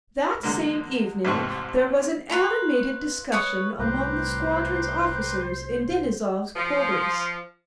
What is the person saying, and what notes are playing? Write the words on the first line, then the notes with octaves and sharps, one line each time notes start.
That same evening there was an animated discussion among the squadron's officers in Denisov's quarters.
E2 D3 G#3 A#3
A1 F2 G#2 C3 C4 C#6
F4 B4 A#5 C#6
B4 C#5 C#6 D#6
C2 A2 G4 B4 C5 A#5
F3